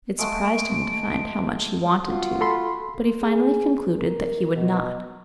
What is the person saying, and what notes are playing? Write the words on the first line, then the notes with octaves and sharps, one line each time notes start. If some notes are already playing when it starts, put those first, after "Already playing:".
It surprised him to find how much he wanted to, but he finally concluded that he would not.
G#3 A3 F#4 D7
F4 F#4
A4 B5 C6
G#4
A#4
B2